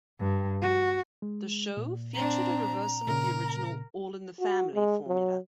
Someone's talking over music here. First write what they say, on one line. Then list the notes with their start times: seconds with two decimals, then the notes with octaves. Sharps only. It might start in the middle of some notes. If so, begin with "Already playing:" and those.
The show featured a reversal of the original "All in the Family" formula.
0.20 G2
0.62 F#4
1.22 G#3
1.77 A#2
2.15 C4 D4 A#5
3.08 A#2 C#3 A#4
4.40 F#4
4.74 G#3
5.07 F#3